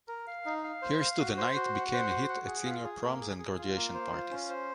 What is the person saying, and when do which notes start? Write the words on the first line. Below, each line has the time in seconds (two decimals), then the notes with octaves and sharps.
"Here's to the Night" became a hit at senior proms and graduation parties.
0.08 A#4
0.27 F5
0.46 D#4
0.64 F5
0.82 C5
1.01 F5
1.19 F#4
1.38 C5
1.56 F#4
1.74 F#5
1.93 C5
2.11 F#4
2.29 F#5
2.47 G#4
2.65 F4
2.84 G#4
3.02 A#3
3.21 G#4
3.38 G#4
3.58 F4
3.76 A#3
3.94 C5
4.13 F4
4.31 C#4
4.49 C5